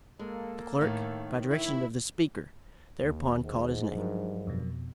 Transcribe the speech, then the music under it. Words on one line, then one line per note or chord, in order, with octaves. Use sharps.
The clerk, by direction of the Speaker, thereupon called his name.
G#3 A#3 A4
A2 D#3
E4
D#2
G#2
G2 F3 F#3 A#4
F2 B2